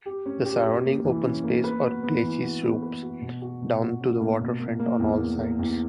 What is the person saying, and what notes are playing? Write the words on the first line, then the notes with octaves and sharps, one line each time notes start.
The surrounding open space or glacis slopes down to the waterfront on all sides.
G4
C#4
G4
G4
A#3
E3
C#4
A#3
B4
F#4
B3
E3
F#4
B3
B4
F#4
B2
F#4
B2
F#4
C#4
A#3
B2
A#3
A#3
E2
A#3
A#3
E2